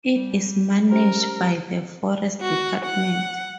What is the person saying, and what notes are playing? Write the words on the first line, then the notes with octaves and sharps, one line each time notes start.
It is managed by the Forest Department.
G3
C#4 G4 A#4 C5
F#4
F#5